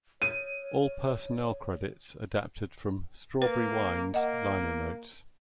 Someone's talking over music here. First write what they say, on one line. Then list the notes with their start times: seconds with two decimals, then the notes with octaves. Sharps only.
All personnel credits adapted from "Strawberry Wine"s liner notes.
0.22 C#5 D#7
3.42 A#3 B4
4.14 A#3 D#5 F#5